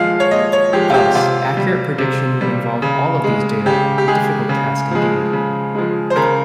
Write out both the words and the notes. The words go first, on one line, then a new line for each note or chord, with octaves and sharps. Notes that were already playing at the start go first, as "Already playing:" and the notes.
Thus, accurate prediction would involve all of these data, a difficult task indeed.
Already playing: A#2 F3 G#3 F5
C#5
A#2 D#5
C#5
F3 G#3 G4
F4
G4
C3 F4
G3
C3
G3
C#3
G#3
C#3 G4
G4
G#3 G#4
C#3
F3 G#3
C#3
F3 G#3
C5
C#3 A#4